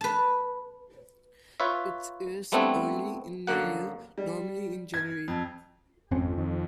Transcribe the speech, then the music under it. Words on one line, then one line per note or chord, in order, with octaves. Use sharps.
It airs early in the year, normally in January.
B4 A5
F4 B4 C#5 E5
G3 A3 B3 C4 D4 E4
F#2 D3 A#3 F#5
G3
G#6
F2
G#1 F2 C4 C#4
F2 D#3